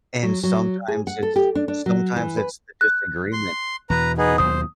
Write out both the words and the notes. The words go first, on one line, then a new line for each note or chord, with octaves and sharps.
And sometimes it's sometimes it's the disagreement.
F#3
F#3
G#4
F#5
A4
G4
D4
D4
F#3
E3
B4
F#6
C6
E2 B2 B4 A#5
B3 D#4 G#4
D#2 B2 F#3 C5 D#6